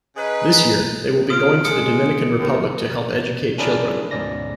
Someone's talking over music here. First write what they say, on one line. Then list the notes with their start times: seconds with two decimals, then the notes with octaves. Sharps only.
This year, they will be going to the Dominican Republic to help educate children.
0.17 C#3 G#4 B4 D#5 A#5
1.30 F4 D#6 D7
1.65 G#3 D#6 C#7
2.39 D#2
3.58 C#4 D4 E4 G#4 A#4 D5
4.11 D2 G#2 B2 C#4 D5 A#6